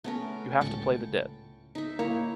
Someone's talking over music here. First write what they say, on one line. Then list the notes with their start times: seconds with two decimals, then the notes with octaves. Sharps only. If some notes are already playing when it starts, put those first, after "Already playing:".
You have to play the dead.
0.04 A3 B3 C#4 A#4
0.61 C#2 A2 G5 A5 C#6
1.75 D#4 E5
1.99 A#3 E4 C#5